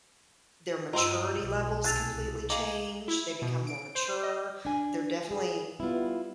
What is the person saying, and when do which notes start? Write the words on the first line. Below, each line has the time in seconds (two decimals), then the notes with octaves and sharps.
their maturity levels completely change, they become more mature they're definitely
0.93 G2 D#4 F4 C5 G5 A#5 E6
1.39 B1
1.84 C2 G#4 A4 F#6 A6 F7
2.50 D#4 G#4 F5 D6
3.08 E4
3.42 B2
3.67 D7
3.95 C5
4.23 D#5
4.65 D4 G#5
5.31 G#4
5.80 G3 B3 E4 F4